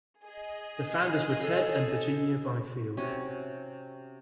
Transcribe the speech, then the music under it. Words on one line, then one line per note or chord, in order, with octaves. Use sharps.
The founders were Ted and Virginia Byfield.
G#4 D#5
A4
C3 C#4 F#4